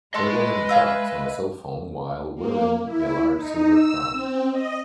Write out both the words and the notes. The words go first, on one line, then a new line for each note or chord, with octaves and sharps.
A woman talks on a cellphone while wearing a large silver crown.
G#3 A4 B4 D#5 E5 C6 C#6
E5 F5 G#5
A#3
E4
D#4
E6
C4
D#5